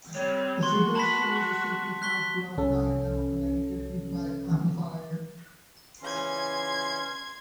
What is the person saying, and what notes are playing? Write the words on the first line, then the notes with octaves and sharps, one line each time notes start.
The figure shows a simplified block diagram of a negative feedback amplifier.
G3 C4 C#5
F#4 C6 C#6
A5 B5 B6
C#6
F#6 B6 G7
C2 C#4 A4
C#3 E3 C#4 C6 G#6